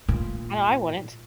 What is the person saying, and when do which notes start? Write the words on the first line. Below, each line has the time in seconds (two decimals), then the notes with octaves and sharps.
I know I wouldn't.
0.09 A#2